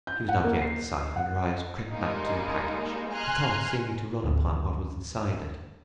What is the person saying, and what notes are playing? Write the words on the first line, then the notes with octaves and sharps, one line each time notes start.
He was not yet in sight; and her eyes crept back to the package, her thoughts seeming to run upon what was inside it.
G6
F#5
A#3
C7
F#5
G3 G#3 A#3 D#4
G#5 A#5 C6 F6 F#6
G#1 D2